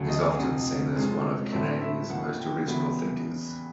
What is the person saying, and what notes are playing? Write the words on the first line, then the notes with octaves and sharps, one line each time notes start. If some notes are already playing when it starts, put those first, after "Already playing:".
He is often seen as one of Canada's most original thinkers.
Already playing: D2 C#3 F#3 A3
D#5
F2 C3 F3
C3 F3 G#3 C#4
A2 F#3 A3 C4 E4 E5
E5
D#2 C#3 F3 A#3 F#5
G5
E2 C#3 F#3 B3 E4